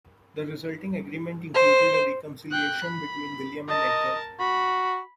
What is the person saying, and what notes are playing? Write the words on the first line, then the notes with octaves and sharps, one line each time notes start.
The resulting agreement included a reconciliation between William and Edgar.
C5
G5 F#6
B5
A#4 D#5 A5
F#4 B5